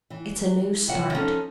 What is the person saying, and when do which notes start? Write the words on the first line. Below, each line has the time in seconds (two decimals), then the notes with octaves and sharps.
It's a new start.
0.10 E3
0.87 D#2 C3 F#3 F4 E5 F#5
1.13 F3 G3 B3 C#4 D#4 A4